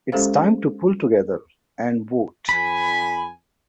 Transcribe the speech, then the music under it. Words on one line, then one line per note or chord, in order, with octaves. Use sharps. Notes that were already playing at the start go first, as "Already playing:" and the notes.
It's time to pull together and vote.
G#3 C#4 G4 A4 C5 F5
F2 G#5 B5